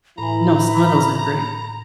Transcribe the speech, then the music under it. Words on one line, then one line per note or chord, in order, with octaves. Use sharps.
No, some of those are great.
A2 E3 E4 G#5 A#5 B5